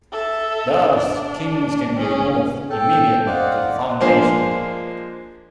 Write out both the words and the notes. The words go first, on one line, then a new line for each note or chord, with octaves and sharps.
Thus, kings can be removed immediately to the Foundation.
A4 E5
D4
C#4 G#4
A4 G5
C5 D5 D#5 F5 F#5
F3 G#3 A#3 D4 C5